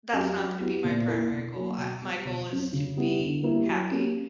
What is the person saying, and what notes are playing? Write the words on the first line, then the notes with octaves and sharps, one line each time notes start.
that's not gonna be my primary goal. I my goal is to be happy,
F#3 C#4 G4 A#4
F#3
B3 E4 G4
A#2
A#3 E4 A#4
B2
F#3 A#3
B2
G3 B3
B2
F#3 C#4
C#3
G3 B3 E4
D3
G3 A#3 E4 A#4
F#3
A#3 C#4 G4